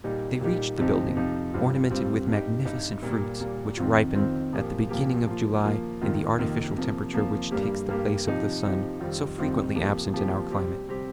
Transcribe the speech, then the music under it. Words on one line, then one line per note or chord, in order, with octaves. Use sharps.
They reached the building, ornamented with magnificent fruits, which ripen at the beginning of July in the artificial temperature which takes the place of the sun, so frequently absent in our climate.
A#2 G3 D#4 G4
A#2 G3 D#4 G4
F2 C3 F3 D#4 G4
F2 C3 F3 D#4 G4
G2 G3 C4 F4
G2 G3 C4 F4
G2 G3 D#4 G4
G2 G3 D#4 G4
A#2 G3 A#3
A#2 G3 A#3
F2 D#3 C4 F4
F2 D#3 C4 F4
A#2 F3 A#3 G4
A#2 F3 A#3 G4
F3 A#3 F4
F3 A#3 F4
F2 C3 D#3 A#3 F4
F2 C3 D#3 A#3 F4
C3 F3 A#3
C3 F3 A#3
G2 G3 A#3 G4
G2 G3 A#3 G4
C3 F3 D#4 G4
C3 F3 D#4 G4
F2 D#3 G3 C4 F4
F2 D#3 G3 C4 F4
C3 F3 A#3 G4
C3 F3 A#3 G4
C3 G3 C4 G4
C3 G3 C4 G4